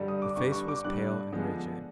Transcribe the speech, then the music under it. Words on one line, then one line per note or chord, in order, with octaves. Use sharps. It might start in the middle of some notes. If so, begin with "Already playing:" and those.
Her face was pale and rigid.
Already playing: G2 D3 G3
D#6
D6
G2 D3 G3 C#6
C#6
D6
G2 D3 G3 F#6
D3 F3 G#3 B3 D4